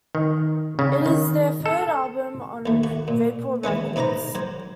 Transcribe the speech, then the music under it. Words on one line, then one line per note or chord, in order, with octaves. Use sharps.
It is their third album on Vapor Records.
D#3
C#3
D#3
A4
D#2 A3
F#4
A#2
E3 G#3 B3 C#4
C3 D#4 B4 C5 A#5
F#3 C5